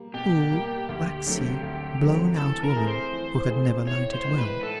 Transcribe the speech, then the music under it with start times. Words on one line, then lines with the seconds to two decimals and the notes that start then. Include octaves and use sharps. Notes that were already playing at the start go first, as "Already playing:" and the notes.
A cool, waxy, blown-out woman, who had never lighted well.
Already playing: G3 A#3
0.14 B2 G4
0.51 G3 A#3
0.89 D2
1.26 D3 F#3 A3 C4
1.63 D2
2.01 D3 F#3 A3 C4
2.38 E3 A4
2.63 A#4
2.76 A3 C4 E4 G#4
2.87 C5
3.13 E3
3.50 A3 C4 E4 G#4
3.87 A2 C#5
4.13 C5
4.25 E3 G#3 B3
4.38 B4
4.63 A2 A4